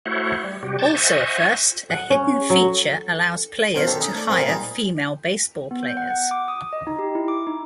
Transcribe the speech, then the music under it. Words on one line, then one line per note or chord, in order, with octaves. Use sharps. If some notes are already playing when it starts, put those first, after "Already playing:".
Also a first, a hidden feature allows players to hire female baseball players.
A3 E4 F#4 C5 C#5 F#5
G3
C3 G3 F#4 G4
A5 C#6 D6 G6 A6
C5 D#5 E5 F#5 G#5 C#6
F#5
C#4
F#3
F#2 B2 C5 C#5 F5
D#3 G4 A4 C6
C#4 D#4 D#5
A3 D5
C4 F4 G#4 A#4
G3 A#3 D#4 F4 G#4
B3
G6
F#5
F#5
D6
D#6
D#5
D#4
G4
E4
D6
D#4